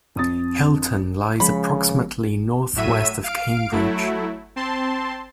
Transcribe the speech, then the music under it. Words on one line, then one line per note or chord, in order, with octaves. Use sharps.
Hilton lies approximately north-west of Cambridge.
F2 D#6 A6
C#3 F3 G#3 B5
A2 F#3 E5 D#7
F5 D7
F#3 A3 E4
C4 A5 C6